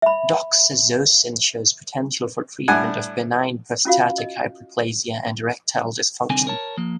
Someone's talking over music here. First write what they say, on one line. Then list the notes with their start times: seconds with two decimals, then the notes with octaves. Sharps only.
Doxazosin shows potential for treatment of benign prostatic hyperplasia and erectile dysfunction.
0.02 E5 B5
2.68 A2 G3 D4 F#5 G#5
3.85 C#4 F4 F#4 F5
4.18 D#5
6.30 C2 D3 D#3 C4 G#5
6.47 A#4 C#5 A5
6.77 F3 A#3